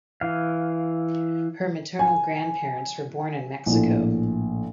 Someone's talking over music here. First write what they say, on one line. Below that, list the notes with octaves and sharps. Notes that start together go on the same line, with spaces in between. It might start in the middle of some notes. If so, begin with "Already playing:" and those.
Her maternal grandparents were born in Mexico.
E3 F5
G#5
A#1 A2